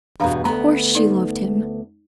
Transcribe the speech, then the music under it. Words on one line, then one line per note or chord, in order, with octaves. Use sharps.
Of course she loved him!
E2 G2 B2 D4 F5 A#5
D2 B3 A#5
D#4 D5